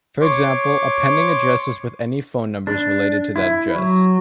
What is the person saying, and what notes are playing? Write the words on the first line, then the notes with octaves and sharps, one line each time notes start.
For example, appending addresses with any phone numbers related to that address.
C#5 C6 D6
D4
E4
F#3